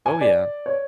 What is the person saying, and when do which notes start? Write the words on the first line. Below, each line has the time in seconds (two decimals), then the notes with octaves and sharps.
Oh yeah.
0.06 G#5
0.21 D5
0.66 C#5